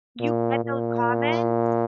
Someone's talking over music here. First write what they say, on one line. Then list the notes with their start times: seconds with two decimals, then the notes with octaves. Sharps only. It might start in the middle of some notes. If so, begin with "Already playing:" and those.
You get those comments?
0.20 A#2
0.65 A#2